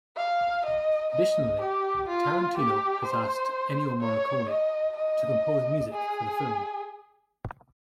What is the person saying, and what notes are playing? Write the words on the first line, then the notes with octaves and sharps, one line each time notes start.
Additionally, Tarantino has asked Ennio Morricone to compose music for the film.
F5
D#5
D#5
G4
F4
G4
C5
C#5
D#5
D#5
G#4